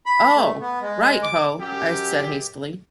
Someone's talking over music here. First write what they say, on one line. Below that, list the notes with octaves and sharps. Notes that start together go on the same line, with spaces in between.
"Oh, right ho," I said hastily.
B5
A3
B3
G#3
D6
F#2 G4